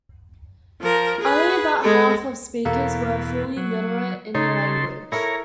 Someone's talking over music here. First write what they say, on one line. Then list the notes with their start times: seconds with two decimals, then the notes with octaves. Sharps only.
Only about half of speakers were fully literate in the language.
0.82 F3 A#4
1.20 G#4 B4
1.80 G#3 A4
2.65 E2 B2 A#3 A4
3.57 F#3
4.35 C#3 D#4 A4 C#5 C6
5.12 E4 A4 A#4 C#5 A#5